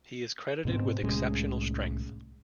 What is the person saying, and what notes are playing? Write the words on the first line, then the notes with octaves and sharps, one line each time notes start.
He is credited with exceptional strength.
G#2 B2 C4
C2 A2 G#3 C#4